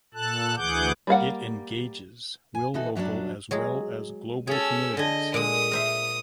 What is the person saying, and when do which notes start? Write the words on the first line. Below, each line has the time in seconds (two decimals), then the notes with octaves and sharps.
It engages will local as well as global communities.
0.14 A#2 A4 A5 F#6
0.57 D2 E3 G#4 F#5 D6 G6
1.07 G3 A#3 F5 F#5
2.55 G#5
2.74 B2 E3 D#4 F#4 A4
2.95 F#2 F#3 G3 C4 D4
3.51 F#3 G#3 G#4
4.47 C#4 G#4 A4 E6
4.97 D3 D#5 G#5
5.34 A#2 G#3 D#6
5.71 A#4 C5 E5